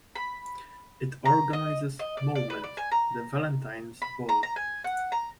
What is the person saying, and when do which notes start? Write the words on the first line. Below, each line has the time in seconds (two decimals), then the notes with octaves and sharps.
It organises Moment, the Valentine's Ball.
0.16 B5
1.25 A#5
1.53 D#5
1.99 D#5
2.17 D5
2.35 D5
2.50 B4
2.64 D5
2.77 G#5
2.92 A#5
4.02 B5
4.29 A#5
4.43 A#5
4.56 G#5
4.84 F#5
5.12 A#5